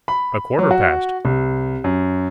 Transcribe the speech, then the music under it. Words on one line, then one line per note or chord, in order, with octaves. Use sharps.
A quarter past.
B5
F#3
F#4
C2
F#2